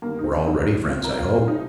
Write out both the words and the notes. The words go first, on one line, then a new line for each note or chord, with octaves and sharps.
"We are already friends, I hope."
G1 G2 D#3 G3 A#3
D#4
C4
G1 G2 D#3 G3 D#4
C2 C3 G3 F4
A#4
F4
C2 C3 G3 F4
D#4